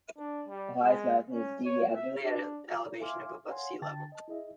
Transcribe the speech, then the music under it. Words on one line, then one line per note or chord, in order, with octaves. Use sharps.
The highest mountain is Didi Abuli at an elevation of above sea level.
D4
G3
G#3
C#4
C#5
E5
D4
E5 F5 G#5 C6 D6 F6
C#5 F5 F#5 G#5 C6
D3 G5 A5 A6
D#5 A5
E4 G#4 D#5 E5